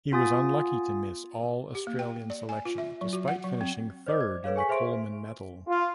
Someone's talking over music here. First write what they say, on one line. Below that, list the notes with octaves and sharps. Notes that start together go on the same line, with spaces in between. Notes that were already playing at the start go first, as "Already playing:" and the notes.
He was unlucky to miss All-Australian selection despite finishing third in the Coleman medal.
B3 F4 G#5 D#6 A6
G4
A#3
G5
D5
G#5
F4
E5
F#3
F#4
F#5
F#3
C4
C5 D5 D#5 D6
G#6
A4 B4 C#5 F5
G#4 G#5 C#6 B6
G#4 C5 E5 C6 D7
F4